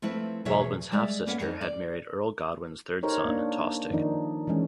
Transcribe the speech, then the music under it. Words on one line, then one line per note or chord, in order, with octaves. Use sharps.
Baldwin's half-sister had married Earl Godwin's third son, Tostig.
F3 A3 C4 E4 B4
E2 B2 F#3 G#4 C#5 E5
G3 G#3 D5 E5
A#3 B3 C#4 B4 F5 F#5
F2 C4 D#4
D5
D#4 G4 A#4 C5 C#5
A#3 D4
D#3 F3 D4 D#4
E3 F3 G#3 C#4